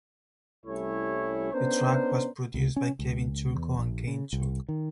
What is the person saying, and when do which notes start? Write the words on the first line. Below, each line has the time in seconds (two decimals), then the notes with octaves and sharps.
The track was produced by Kevin Churko and Kane Churko.
0.66 C2 G3 A3 C#4 E4 C#5
1.53 B3 C#4 D4 A#4 C5
2.54 C#2
2.76 C#4
2.99 C#2
3.55 E2
3.78 A#1
4.07 C#3
4.33 C2
4.69 D#3